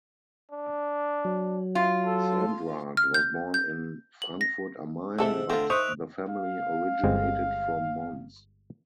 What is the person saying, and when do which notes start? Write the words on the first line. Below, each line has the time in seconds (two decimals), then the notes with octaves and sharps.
Sandrart was born in Frankfurt am Main, but the family originated from Mons.
0.51 D4
1.25 F#3
1.75 F4
2.06 A4
2.97 F6
3.14 G6
3.54 G6
4.22 F#7
4.41 A#6
5.19 G#2 C3 E3 A4 E5 E6
5.50 A2 D3 C4 F4 A#5
5.70 D#3 C5 E5 C#6 D#6 F#6 D7 F7
6.29 F5
7.03 G1 G#3 C4